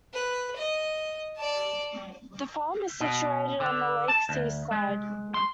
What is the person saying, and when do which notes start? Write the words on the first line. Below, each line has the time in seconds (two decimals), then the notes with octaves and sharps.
The farm is situated on the lake's east side.
0.14 B4
0.56 D#5
1.37 D5 A5
3.00 B2
3.60 D3
4.08 A5
4.29 D2
4.71 G#3
5.34 C6